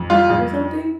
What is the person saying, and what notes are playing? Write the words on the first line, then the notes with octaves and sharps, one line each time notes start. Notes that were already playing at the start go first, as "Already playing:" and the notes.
or something?
Already playing: F2
G3 F4
F2